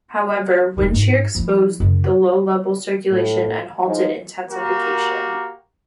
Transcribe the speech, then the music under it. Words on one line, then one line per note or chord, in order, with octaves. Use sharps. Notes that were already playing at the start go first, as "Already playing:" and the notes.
However, wind shear exposed the low-level circulation and halted intensification.
E1 D#3
G#2
F3 E4
F#2 C#3
A2
F3 G#3 D#4
A#3 F#4 G4 A#4